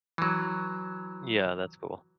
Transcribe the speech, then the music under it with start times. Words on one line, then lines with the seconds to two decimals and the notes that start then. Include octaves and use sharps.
Yeah, that's cool.
0.18 E3 F#3